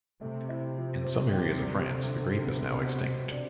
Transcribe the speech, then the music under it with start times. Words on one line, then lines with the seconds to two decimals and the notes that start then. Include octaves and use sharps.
In some areas of France the grape is now extinct.
0.20 C3 A3
0.49 E4
0.77 F3
1.05 C4
1.33 G4
1.61 G3
1.90 D3
2.19 D3
2.46 B3
2.74 B2
3.04 B2
3.31 D4